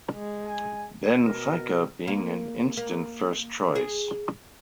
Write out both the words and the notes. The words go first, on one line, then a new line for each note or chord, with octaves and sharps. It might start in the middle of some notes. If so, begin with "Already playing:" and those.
Benfica, being an instant first-choice.
G#3
G#5
B2 A#4
A#3
A#3
G#4